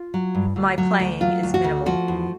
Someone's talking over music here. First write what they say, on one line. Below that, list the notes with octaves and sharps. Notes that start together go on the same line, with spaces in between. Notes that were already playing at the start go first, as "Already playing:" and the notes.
My playing is minimal.
Already playing: F4
F#3
G2
D2
F#3
D2
F#3 F4
D2
F#4
D2
F3 F#4
E2